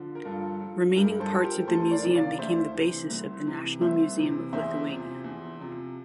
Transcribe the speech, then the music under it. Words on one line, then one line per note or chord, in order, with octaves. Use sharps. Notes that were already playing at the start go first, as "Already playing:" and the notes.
Remaining parts of the museum became the basis of the National Museum of Lithuania.
Already playing: D3 F3
A#4
G2 F4 A4
F3
G2 G4 A#4
A4 C5
F3
G4 A#4
D2 A4 C5
A#4 D5
C3 E3
D5 F5
D2 C5 E5
C3 E3
C2
C3 E3
C2 C5 E5
C3 E3
E2 C5 E5
C3 F3
E2
C3 F3